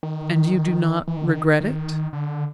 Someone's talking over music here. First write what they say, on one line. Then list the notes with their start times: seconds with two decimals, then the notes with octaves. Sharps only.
"And you do not regret it?"
0.03 D#3
1.08 E3
1.17 D#3
1.25 D3
1.34 D#3
1.60 D#3
2.13 D3